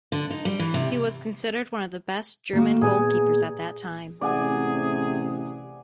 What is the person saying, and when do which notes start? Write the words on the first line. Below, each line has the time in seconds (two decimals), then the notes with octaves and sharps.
He was considered one of the best German goalkeepers at that time.
0.12 D3
0.31 D#4
0.45 G3
0.59 E3
0.74 C3
2.53 D#3 A#3 F#4
2.81 A#2 B3 G#4 G#5
4.21 A1 C3 G#4 D5 F#5 G#5